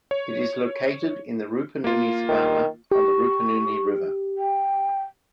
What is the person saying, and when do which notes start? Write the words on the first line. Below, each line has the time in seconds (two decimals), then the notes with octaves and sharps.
It is located in the Rupununi savannah on the Rupununi River.
0.11 C#5
1.84 A#3 F4
2.29 D#3
2.91 G4 C#6
4.38 G5